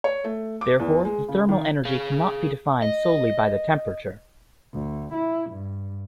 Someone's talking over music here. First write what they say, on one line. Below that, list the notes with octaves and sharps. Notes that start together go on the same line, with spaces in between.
Therefore, the thermal energy cannot be defined solely by the temperature.
C#5
A3
D6
E2
G#3
C#3
D#3
G#4 F5
D#5
D2
E4
G2